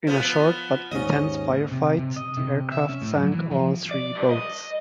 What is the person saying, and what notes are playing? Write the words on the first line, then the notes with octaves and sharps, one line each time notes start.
In a short but intense firefight, the aircraft sank all three boats.
F3 B3
D#2 G#2 C#4 D#5
C3
C3
D#5
C3
E5
C#4
A2
F#3
E3
F3
D5
G2
D#5